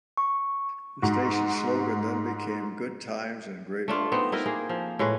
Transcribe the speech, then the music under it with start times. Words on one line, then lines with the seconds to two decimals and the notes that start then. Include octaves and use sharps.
The Station's slogan then became "Good Times and Great Oldies".
0.17 C#6
1.02 G#2 F#4
3.88 A3 D4 F4
4.12 B3 C4 D#4
4.32 D#4 E4 A#4 D#5
4.46 A#3 G#4
4.69 F3
4.99 A2 G#3 B4